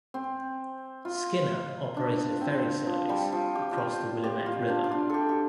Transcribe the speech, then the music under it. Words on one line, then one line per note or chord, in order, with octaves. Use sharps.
Skinner operated a ferry service across the Willamette River.
C4
F4
D4
C4
F3
G3
F3
G4
F4
G4
G4
F4
D4
D4
F4
G4 A4
G4